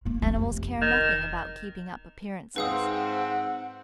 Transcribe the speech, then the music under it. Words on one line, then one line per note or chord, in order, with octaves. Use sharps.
Animals care nothing about keeping up appearances.
A3 A#3
A3 C4
F1
D#3
G#2 C4 B4 F5 F#5 D#6